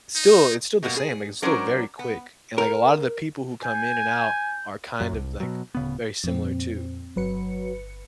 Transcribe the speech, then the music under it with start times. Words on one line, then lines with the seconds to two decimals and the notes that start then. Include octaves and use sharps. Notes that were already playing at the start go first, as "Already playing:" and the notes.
still it's still the same, like, it's still very quick, and, like, a lotta the people who come in and out are kind of, like, very similar, too.
0.16 D#4
0.83 B2 G3 A#3 B3
0.97 G#4
1.42 F#3 C#4 D4 A#4 C5 D5
1.99 B3
2.58 A#4
3.64 G#5 G6
5.01 F#2 F#3
5.13 C2
5.40 B2 F#3
5.75 D1 C#3 B3
6.24 F2 A#2 C4
7.16 G1 F#3 B4 C#7